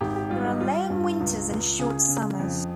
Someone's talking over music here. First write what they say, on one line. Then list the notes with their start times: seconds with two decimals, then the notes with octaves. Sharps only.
There are long winters and short summers.
0.01 G#1 G4
0.16 G4
0.30 G3 F4
0.45 D#4
0.60 G3 F4
0.90 G2
1.20 C#2
1.49 C#2
1.79 C#3 G#4
2.09 C#3
2.39 F2